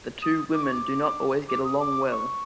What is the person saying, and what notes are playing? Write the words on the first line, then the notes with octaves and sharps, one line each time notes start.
The two women do not always get along well.
D#6
D6
C#6
D6
D6
D#6
D6
C#6